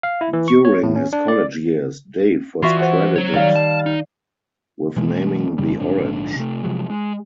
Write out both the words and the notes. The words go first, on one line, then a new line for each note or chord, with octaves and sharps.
During his college years, Dave was credited with naming the "orange".
F5
E4
E3
C#6
C#5
A2
C#4
D4
D5
E3 F4 F#4 E5
C5 F#5 C#6
F#3 C#5
D#3 G3 F5
A5
D#4
B2 E3 G#3 A#3
F2 C#3 G3 C#4
A#1 G#2 D3 D4
C3 A3
C3 F3 F#3 G#3
G#3